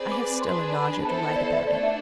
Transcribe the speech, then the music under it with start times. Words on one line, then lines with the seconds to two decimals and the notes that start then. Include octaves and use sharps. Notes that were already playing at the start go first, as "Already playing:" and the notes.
I have still a nausea to write about it!
Already playing: C4 G#4 B4 D5
0.12 D6
0.42 D4 G#4 B4 C6
0.74 B5
1.05 B3 E4 A4 C5 A5
1.36 D5
1.53 E5
1.67 A3 D4 A4 D5
1.83 E5